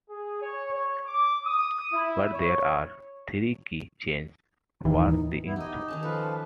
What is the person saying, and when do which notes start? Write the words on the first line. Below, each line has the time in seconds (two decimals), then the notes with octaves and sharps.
But there are three key changes towards the end.
0.10 G#4
0.42 C#5
0.73 C#5
1.06 D6
1.45 D#6
1.93 E4
2.33 C#5
4.85 D1 D#2 E3 D#4
5.43 B3 E4
5.56 D#4 G4 D#5
5.88 D#3 C#4 A5
6.03 F3 F4 A4 B4